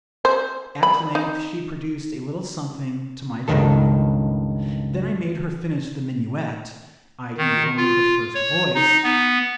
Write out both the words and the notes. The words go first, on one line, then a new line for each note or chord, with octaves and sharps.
At length she produced a little something to my joy. Then I made her finish the minuet, i.e. only the first voice.
C5
B5
D#4
C#2 G2 D#3 A4
D#3
F4
C#5
D#4
B3